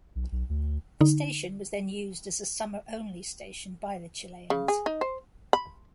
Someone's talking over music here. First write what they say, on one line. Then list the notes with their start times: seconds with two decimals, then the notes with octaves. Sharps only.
The station was then used as a summer only station by the Chileans.
0.15 B1
0.32 B1
0.49 D2
1.01 D3 D#4
4.50 C#3
4.68 G#4
4.86 D#4
5.01 C5
5.53 B5